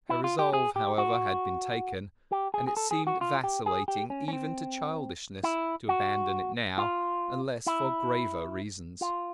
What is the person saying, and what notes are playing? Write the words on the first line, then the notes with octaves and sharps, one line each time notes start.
Her resolve, however, had been taken, and it seemed vacillating even to childishness to abandon it now, unless for graver reasons.
E4
F4
G4
G#4
G4
F#4
G4
G#4
G#4
A4
G#4
F#4
F4
G4
G#4
G4
C#4
C#4
C4
E4
F#4
F4
E4
F4